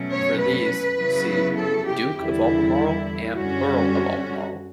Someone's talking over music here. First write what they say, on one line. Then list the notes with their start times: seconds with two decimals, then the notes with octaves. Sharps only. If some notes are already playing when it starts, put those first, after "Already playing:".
For these, see "Duke of Albemarle" and "Earl of Albemarle".
Already playing: B2 F#3 A3 C#4
0.09 C#5
0.39 B4
0.98 C#3 F#3 B3 E4
1.58 A4
1.87 G4
2.16 E2 D3 G3 E4
3.35 F#2 D3 G3 C#4 F#4